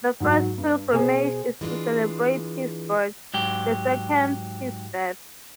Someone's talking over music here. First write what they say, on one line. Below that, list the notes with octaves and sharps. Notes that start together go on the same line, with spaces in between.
The first pilgrimage is to celebrate his birth, the second his death.
G#2 F#3
G2
B2 G#4 C5 G#5
E3 G#3 D4 F4
G#2 F#3 G4